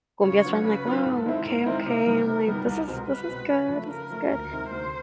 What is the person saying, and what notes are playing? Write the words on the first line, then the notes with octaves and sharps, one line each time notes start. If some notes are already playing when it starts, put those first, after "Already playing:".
cumbias where I'm like, "Whoa. Okay, okay." I'm like, "This is this is good. This is good."
C#3 C#5
F#3 B3 D4 F4
C#3 B4
F#3 B3 D4 F4
G#2 A4
D#3 G#3 C4 E4
G#2 A#4
D#3 G#3 C4 E4
C3
D#3 G3 B3
C3
D#3 G3 B3
C2 A#4
B2 G#3 C4
C2 B4
B2 G#3 C4
C#3 B4
F3 A3
C#3 A#4
F3 A3
D2 A#4
C3 D#3 G#3 C4
D2 C5